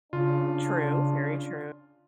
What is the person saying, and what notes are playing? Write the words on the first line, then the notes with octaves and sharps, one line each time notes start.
True. Very true.
C#3 D4 F4